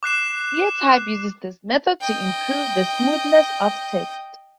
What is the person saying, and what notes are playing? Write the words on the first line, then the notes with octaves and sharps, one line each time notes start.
ClearType uses this method to improve the smoothness of text.
D6 F#6 C7 E7
D#5 G5